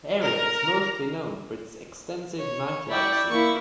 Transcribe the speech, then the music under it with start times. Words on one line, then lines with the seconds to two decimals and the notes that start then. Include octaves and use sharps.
The area is mostly known for its extensive nightlife scene.
0.21 A#4 A#5
2.38 C#5
2.89 E4 D5 G5 C#6
3.30 A#3 E4 C#6